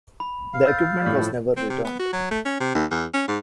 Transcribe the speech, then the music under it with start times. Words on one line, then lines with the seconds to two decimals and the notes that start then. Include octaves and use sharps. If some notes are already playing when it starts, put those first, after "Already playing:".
The equipment was never returned.
0.20 B5
0.54 F5
0.66 E6 G6 A6
1.02 A2 F3 G3
1.16 A2 F3
1.57 C4
1.70 C3
1.84 B3
1.99 F#4
2.12 F#3
2.31 A3
2.45 C#4
2.60 C3
2.75 D#2
2.91 E2
3.14 C#4
3.28 G#2